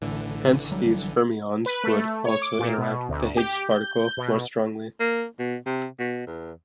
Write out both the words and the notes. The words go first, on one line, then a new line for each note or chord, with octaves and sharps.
Hence, these fermions would also interact with the Higgs particle more strongly.
A1 A2 D3 E3
F#3 G3
B4
A3
C#5
D6
A#2
B2
D2
G4
G6
B2
A#3
B2
C3
B2
E2